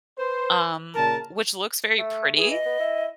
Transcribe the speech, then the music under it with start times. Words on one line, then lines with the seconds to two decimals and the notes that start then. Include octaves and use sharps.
um, which looks very pretty
0.19 B4 C5
0.95 A#2 C#3 A#4 A5
1.99 A3
2.37 E3 G#4
2.50 D#5
2.66 B3
2.80 E4